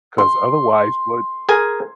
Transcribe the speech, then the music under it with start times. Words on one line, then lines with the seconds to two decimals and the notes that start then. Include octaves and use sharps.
'cause otherwise, what
0.18 C6
1.49 G#4 A#4 G#5